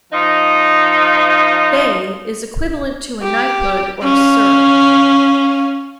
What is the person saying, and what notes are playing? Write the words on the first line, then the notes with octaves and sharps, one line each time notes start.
Bey is equivalent to a knighthood or "Sir".
F3 D#4
G4
C#4 F5